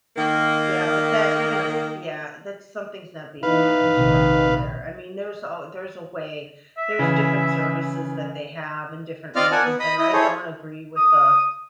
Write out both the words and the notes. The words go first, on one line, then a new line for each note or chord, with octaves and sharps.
Yeah, but that, even if yeah, that's something's not being managed correctly there. I mean, there's al there's a way, there's different services that they have and different reasons, and I don't agree with the
D#3 A#3
E3 D#4 B4 F5
A#1 C3 D#3
E5
C#3 E3
C4 F4 D5 D#5 F5 F6
A#4 D5 F#5 G#5 A5
B3
D#5 B5 D#6
E4 D#5 D#6
E4 G#4 A4 C5 C#5
D#6